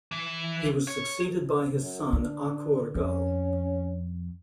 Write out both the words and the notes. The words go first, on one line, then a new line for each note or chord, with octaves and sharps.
He was succeeded by his son Akurgal.
E3
C#5
F#2
D3 D4
F2 C#4